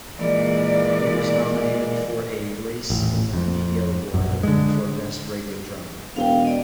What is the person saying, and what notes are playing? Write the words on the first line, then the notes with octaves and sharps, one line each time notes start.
It was nominated for a "Race in the Media Award" for Best Radio Drama.
A#2 E3 G#3 A#3 D5
D#1 A1
F2
A#1 F#2
D3 G#3
E1 F5 G5
D5 D#5